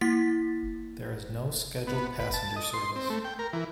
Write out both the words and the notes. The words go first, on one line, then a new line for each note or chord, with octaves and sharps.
There is no scheduled passenger service.
A#3 E4 A6 B6
B3
B4
A5
D#5
C6
C4
A3
G5
A#4
E3